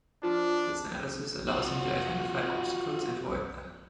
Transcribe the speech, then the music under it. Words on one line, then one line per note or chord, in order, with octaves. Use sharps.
This analysis allows him to identify obstacles and avoid them.
F3 D4
F4 F#4